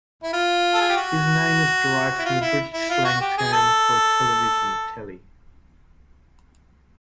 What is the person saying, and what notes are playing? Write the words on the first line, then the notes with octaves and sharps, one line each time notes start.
His name is derived from the British slang term for a television, "telly".
E4
F4
A4
G#4
G4
F#4
E4
F4
E4
E4
F4
F#4
G4
G#4
A4